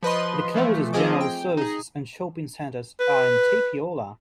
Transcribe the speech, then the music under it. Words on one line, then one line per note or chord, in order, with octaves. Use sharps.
The closest general services and shopping centers are in Tapiola.
F3 B4 D#5 C6
E3 F3 A3
F3 C4 G#4 D#5 D6
G5
D#4 G#4
B4